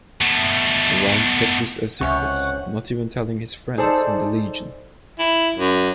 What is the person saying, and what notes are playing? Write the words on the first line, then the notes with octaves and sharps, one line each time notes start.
Rond kept this a secret, not even telling his friends in the Legion.
B2 A3
C#2 C3 C#4 F#5 C#6
D#4 G#4 A4 C5 D5 A5
E4
F#2